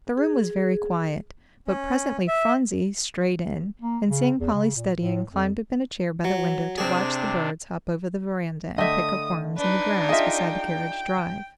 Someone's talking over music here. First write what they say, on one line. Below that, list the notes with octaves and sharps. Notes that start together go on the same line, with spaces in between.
The room was very quiet; but presently Phronsie strayed in, and seeing Polly studying, climbed up in a chair by the window to watch the birds hop over the veranda and pick up worms in the grass beside the carriage drive.
G#4
C#4
E5
A#3
C#3
E2
C#3
A#2
A2
F2
F#3
C3 C4 D4 G#4
D3 A3 D#5 E5 G5 D#6
D4 D#4 B4
F4 G#4 D#5 E5 G5